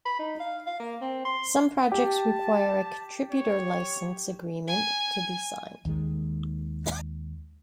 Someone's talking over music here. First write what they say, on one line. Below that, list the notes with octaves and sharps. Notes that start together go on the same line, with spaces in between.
Some projects require a Contributor License Agreement to be signed.
B5
D#4
F5
F5
A#3
C4
C6
G4 A5
C#5
G#5
D#2 D#3 G#3